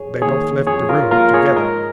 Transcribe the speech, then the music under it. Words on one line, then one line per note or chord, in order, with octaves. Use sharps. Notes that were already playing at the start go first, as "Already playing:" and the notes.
They both left the room together.
Already playing: F2 G#4 C#5
D#3 A#3 G#4 C#5
F2 G#4 C#5
F4 A#4
F3 A#3 F4 A#4
G#4 C#5
G#2 A#4 D#5